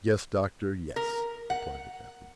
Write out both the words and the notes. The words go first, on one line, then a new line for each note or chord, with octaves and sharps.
"Yes, Doctor, yes," replied the captain.
A#4
F#5